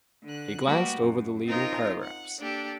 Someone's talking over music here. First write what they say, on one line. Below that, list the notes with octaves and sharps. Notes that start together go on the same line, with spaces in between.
He glanced over the leading paragraphs.
D3 F#6
G3 A#3 B3 F#4 G4
F#2
C4 D#4 F4 A#4
F#5
A#3 D4 G4 A4